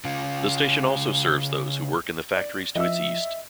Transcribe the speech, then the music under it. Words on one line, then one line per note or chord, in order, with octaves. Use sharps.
The station also serves those who work in the factories to its east.
C#3 F4
D5
F3 D#5 E5 E6